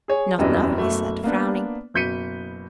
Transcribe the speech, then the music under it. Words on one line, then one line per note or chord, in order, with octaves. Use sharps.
"Not know," he said, frowning.
G#4 C#5 G#5
E1 F#2 E3 G3 D4 D#5
F#1 B2 A3 F#4
A#3 B3 D4
F#1 B2 G6 B6 C#7 D#7